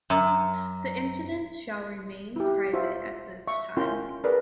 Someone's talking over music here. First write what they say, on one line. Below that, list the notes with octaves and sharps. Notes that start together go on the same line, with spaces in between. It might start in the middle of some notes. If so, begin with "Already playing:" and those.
The incidents shall remain private at this time.
F#2
E4 G4
F4 F#4 C5 E5
E5 F5 C#6
C#4 E4 F4 A#4 G5 C6
G#4 A#4 B4 D5